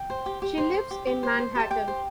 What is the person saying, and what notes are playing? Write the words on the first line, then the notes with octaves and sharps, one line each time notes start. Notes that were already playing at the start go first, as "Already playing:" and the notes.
She lives in Manhattan.
Already playing: G5
C5
G4
G4
C5
C5
G4
G4
C5
C5
G4 A5
G4 G5
C5